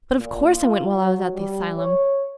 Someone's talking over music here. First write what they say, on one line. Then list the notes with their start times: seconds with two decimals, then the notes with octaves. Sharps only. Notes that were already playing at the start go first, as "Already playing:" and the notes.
But of course I went while I was at the asylum.
0.16 A#2
0.51 F4
0.96 F#3
1.34 G3
1.78 C#5